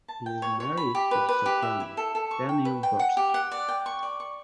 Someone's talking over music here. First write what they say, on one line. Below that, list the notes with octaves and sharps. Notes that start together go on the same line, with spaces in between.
He is married to the soprano Danielle Borst.
A5
G5
C#5
C#5
B5
G4
B4
B4
G4
E5
E4
A4
A4
C#6
G5
B4
G5
F#5
G4
F#5
D5
G5
C#6
D5
C#6